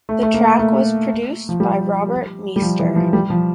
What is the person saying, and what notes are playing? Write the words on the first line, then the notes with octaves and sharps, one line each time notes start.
The track was produced by Robert Meister.
A3
A3
A#3
A3
F3
G3
G3
F3
E3
F3
G3
F3